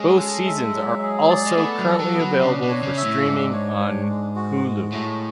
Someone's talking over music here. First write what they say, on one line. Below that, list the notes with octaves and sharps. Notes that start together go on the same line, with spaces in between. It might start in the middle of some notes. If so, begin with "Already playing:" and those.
Both seasons are also currently available for streaming on Hulu.
Already playing: G#3 C#4
A4
E5
F#3
G#4
D5
G#3
A3 B3
F#3
A4
F#3
B3
F#3
C#3 D4
B2
C#5
C#3
E5
A2
G#2 D4
C#5
D4
G#3
F#4
G#3
A2 A3